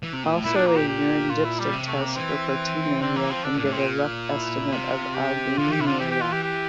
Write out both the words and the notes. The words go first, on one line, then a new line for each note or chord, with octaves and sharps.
Also a urine dipstick test for proteinuria can give a rough estimate of albuminuria.
E3
C3
A#2
A2
A#2 E4
D4
A#3
G4
G4
F4
E4
G3
C3
A3
A#3
E3 C4
D3 C4
E3 A#3
F3 C4
D3 D4
A#2 D4
A2
A#2 C4
E4
C3 F4
G4
D3 F4
E3 G4
C3 E4
D3 F4
E3 G4
G4
F4
G4
G4